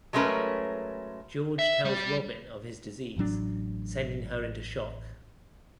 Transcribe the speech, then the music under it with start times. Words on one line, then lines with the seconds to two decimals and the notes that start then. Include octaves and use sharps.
George tells Robin of his disease, sending her into shock.
0.13 F#3 G#3 A3 C#4 A#4 B4
1.59 E5
1.85 G3
3.16 A1 A2 F#3 D4